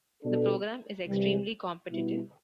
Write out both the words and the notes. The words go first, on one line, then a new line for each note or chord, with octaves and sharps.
The program is extremely competitive.
B2 B3 D4 A4
C2 C3 E3 G3
B2 G3 B3 E4